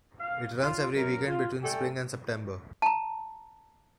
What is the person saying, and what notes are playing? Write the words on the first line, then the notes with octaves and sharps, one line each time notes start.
It runs every weekend between spring and September.
F5
F4
F#2 A#4
F4
G3 A3 G4 A4 G5 G#5
A5 A#5